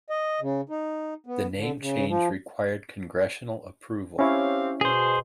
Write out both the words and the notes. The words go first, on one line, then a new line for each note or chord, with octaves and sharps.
The name change required congressional approval.
D#5
C#3
D#4
B3
D3
C#3
F3
C4 C#4 E4 G4 C#5 F5
B2 G#4 C5